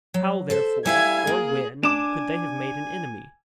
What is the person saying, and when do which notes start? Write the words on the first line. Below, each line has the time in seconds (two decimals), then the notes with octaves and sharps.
How, therefore, or when could they have made an enemy?
0.14 F#3
0.50 A4 C5 E5
0.86 G3 E4 E5 F5 G#5 G#6
1.27 A#3 G#4
1.83 D4 G#5 D6 E7